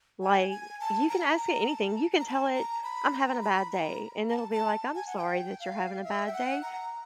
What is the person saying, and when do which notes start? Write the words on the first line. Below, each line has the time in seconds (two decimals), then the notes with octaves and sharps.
like, you can ask it anything, you can tell it, "I'm having a bad day," and it'll be like, "I'm sorry that you're having a bad day,
0.22 G#5
0.51 G#5
0.80 A5
1.09 A#5
1.38 A#5
1.68 A5
2.12 A5
2.19 A#5
2.27 A5
2.54 A#5
2.84 B5
3.13 A#5
3.42 B5
3.72 A#5
4.29 A5
4.51 A5
4.95 G#5
5.07 F#5
5.17 G5
5.60 F5
6.04 E5
6.27 G5
6.33 F#5
6.62 A#5